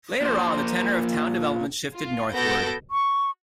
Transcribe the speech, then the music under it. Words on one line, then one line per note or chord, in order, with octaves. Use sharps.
Later on, the tenor of town development shifted northward.
A#2 C5
F4
B3 F#4 A4 G6 A#6 D7
C#6